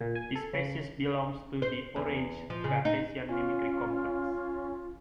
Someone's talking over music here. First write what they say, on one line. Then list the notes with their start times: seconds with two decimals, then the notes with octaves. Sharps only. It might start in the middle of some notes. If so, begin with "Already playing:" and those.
This species belongs to the "orange" Batesian mimicry complex.
0.01 A#2
0.15 G#5
0.35 A4
0.53 C#3
1.62 C5
1.96 E2
2.50 F3
2.64 C#3
2.85 D#4
3.29 C#4 F4